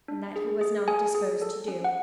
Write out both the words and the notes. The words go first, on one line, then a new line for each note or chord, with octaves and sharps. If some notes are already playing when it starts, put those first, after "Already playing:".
And that he was not disposed to do.
D4
G#4
G#4
G#4 G#5
G#4
A4
C#4
F#5